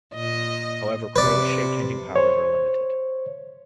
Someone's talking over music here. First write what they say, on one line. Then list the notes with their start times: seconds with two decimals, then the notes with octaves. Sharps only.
However, Kro's shape-changing powers are limited.
0.14 A#2 D#5
1.16 C3 B4 D5
2.16 C5 C#5